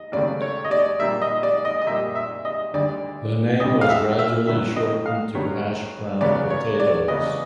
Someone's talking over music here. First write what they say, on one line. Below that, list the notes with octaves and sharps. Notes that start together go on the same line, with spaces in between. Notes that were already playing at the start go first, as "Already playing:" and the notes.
The name was gradually shortened to 'hash brown potatoes'.
Already playing: D#5
D#2 C#3 F#3 A3 C4 D5
C#5
D#5
D5
A#2 G3 A#3 E5
D#5
D5
D#5
D#5
A#2 G3 A#3 E5
E5
D#5
D2 D3 G3 D5
D2 D3 G3 D#5
F5
E5
E5
G2 D3 F#3 B3 E5
D#5
F5
G2 D3 F#3 B3
E2 C#3 F#3 B3 D5
C#5
D5
E2 C#3 F#3 B3 D#5